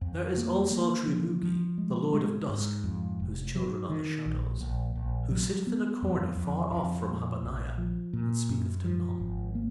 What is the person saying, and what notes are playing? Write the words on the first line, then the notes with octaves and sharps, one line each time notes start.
There is also Triboogie, the Lord of Dusk, whose children are the shadows, who sitteth in a corner far off from Habaniah and speaketh to none.
F2
A#3
A#3
F3
F3
G#3
G#3
G#2
F2
F1
F#3
D#3
A#1
A#1
A#1
F#3
B3
F2
F2
F2
A#2
A#1
F3
A#2
F#2
F3
G#1
A#3